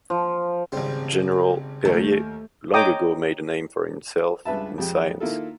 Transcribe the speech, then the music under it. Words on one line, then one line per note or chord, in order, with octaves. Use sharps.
General Perrier long ago made a name for himself in science.
F3
G#1 C#3 G3 C4
D#2 A3 A#4
C#5 D#5 G5 A#5 D6 D#6
C#2 G2 B4 E5 A5
F2 G#3 G4 G5
D#3 A#3 E4 F4 A4